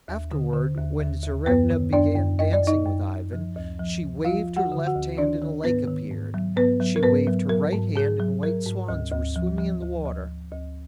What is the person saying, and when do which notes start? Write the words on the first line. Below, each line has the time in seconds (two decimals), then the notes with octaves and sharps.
Afterward, when Tsarevna began dancing with Ivan, she waved her left hand and a lake appeared; she waved her right hand and white swans were swimming in the water.
0.08 D#2
0.31 D3
0.53 D3
0.78 D#2
1.00 D#2
1.23 D#2
1.46 F#2 B3 B4
1.71 D#3
1.93 F#2 D4 D5
2.16 F#2
2.39 F#2 D#5
2.53 D5
2.63 F#2 D#4 D#5
2.85 F#2
3.10 F#2
3.33 F3
3.56 D2
3.79 F3
4.02 D2
4.25 F3 F4 F5
4.48 F3
4.56 F#4 F#5
4.72 D3
4.86 F#4 F#5
4.95 D2
5.17 D#3 D4 D5
5.41 D#3
5.64 G#2 B3 B4
5.87 D#3
6.11 G#2
6.34 F#3
6.56 G#2 B3 B4
6.80 F#3
6.96 A#4
7.03 G#2 B3 B4
7.27 F#3
7.49 F#3 A#4
7.72 G#2
7.96 G#2 G#4
8.20 F#3
8.43 F#3 A#4
8.66 G#2
8.89 D2
9.12 D2
9.36 F3
9.58 F3
9.82 D2
10.05 D2
10.28 D2
10.51 D2